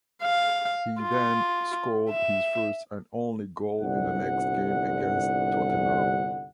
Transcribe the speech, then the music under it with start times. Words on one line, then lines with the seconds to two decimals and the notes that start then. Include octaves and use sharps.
He then scored his first and only goal in the next game against Tottenham.
0.23 F5
1.02 F4
2.10 E5
3.79 G1 C2 D3 F#5